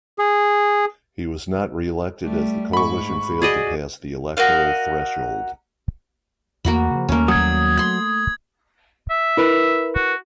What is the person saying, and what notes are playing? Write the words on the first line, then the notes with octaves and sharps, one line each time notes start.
He was not reelected as the coalition failed to pass the electoral threshold.
G#4
G3 A3
G#2 B5 C#6
F#4 G#4 D5 D#5
F#4 A#4 D#5 F5
E2 A3 A#3 F#4 B5
C#3 F3
D#2 G3 A3 A#3 C#4
F#3 D#6 G#6
A3 B5 C6 G#6
E5
E4 A#4 B4
F#4